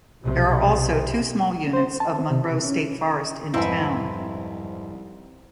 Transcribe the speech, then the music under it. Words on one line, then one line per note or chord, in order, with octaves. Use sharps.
There are also two small units of Monroe State Forest in town.
B1 C3
C5
A5
C4
C3
C#4
C2 F2 G#2 C4 E4 B4